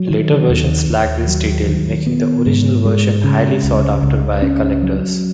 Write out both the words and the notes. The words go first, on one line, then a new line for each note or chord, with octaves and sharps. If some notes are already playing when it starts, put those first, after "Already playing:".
Later versions lack this detail, making the original version highly sought after by collectors.
Already playing: F#3
D#3
D#2
D#2
F#3
D#3
B3
G#2
G#3
C#3
C#2
C#2
C#4
F#3